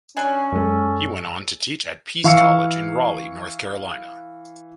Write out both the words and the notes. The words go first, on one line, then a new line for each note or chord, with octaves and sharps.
He went on to teach at Peace College in Raleigh, North Carolina.
F#3 C#4 D4 G#5
F#2 G#3 A4
E3 F5 C#6 E6 C#7